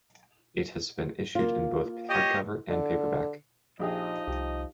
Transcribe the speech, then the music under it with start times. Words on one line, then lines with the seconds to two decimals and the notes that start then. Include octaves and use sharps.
It has been issued in both hardcover and paperback.
1.35 A#3 F4
2.09 G4 C#5 D#5
2.70 D3
3.79 A#1 F3 D#4 G4 G#4 D#5
4.27 C2 G4